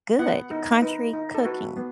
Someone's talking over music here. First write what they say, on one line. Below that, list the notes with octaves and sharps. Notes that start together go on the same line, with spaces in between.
good country cooking
B3 F#5
D#4
D#4 B4
D#4
A4
F#4 B4
B3